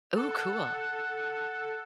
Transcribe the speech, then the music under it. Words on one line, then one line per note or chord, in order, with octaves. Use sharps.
Ooh, cool.
A4 F#5